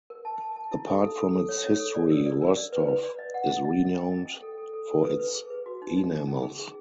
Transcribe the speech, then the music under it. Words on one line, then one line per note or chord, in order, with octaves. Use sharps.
Apart from its history, Rostov is renowned for its enamels.
A#4
A5
A5
A5
E4
A4
A4
A4
A4
C#5
C#5
A4
D5
A#4
D5
A#4
D5
B4
B4
D5
D#5
F#5
D#5
D#5
D#5
G5
D#5
G5
A4
A4
A4
A4
B4
B4
G#4
B4
F#4
D#4
D#4
D#4
C#4
G#4
G#4